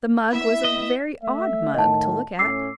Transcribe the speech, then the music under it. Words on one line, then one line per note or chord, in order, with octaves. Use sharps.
The mug was a very odd mug to look at.
B3 E4 E5
D#5
A3 E5
A2 D#3 D#5 F#5 A5
A2 A3 C#4 D6 E6 C7